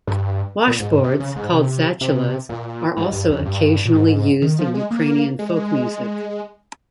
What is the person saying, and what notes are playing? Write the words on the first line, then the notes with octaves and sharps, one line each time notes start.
Washboards, called "zatulas", are also occasionally used in Ukrainian folk music.
G2
A#2
G#2
G#2
C3
C#3
G#2
C3
C3
A#2
G#2
G2
F2
G2
A#2
G#2
D#3
F3
G#3
A#3
G#3